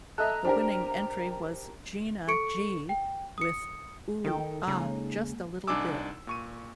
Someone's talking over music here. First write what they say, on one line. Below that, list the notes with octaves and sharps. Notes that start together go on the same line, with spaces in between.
The winning entry was Gina G with "Ooh Aah... Just a Little Bit".
A4 D#5 E5 A#5 F#6
D4 G4 A#4 C5
A4 C#6 C#7 D7
G5
D#6 C#7
D#3 D#4 A4 G5
C#3 G#3 A#3 D#4
C2 D4 D#4 G#5 D6 E6
A#2 C#6 D#7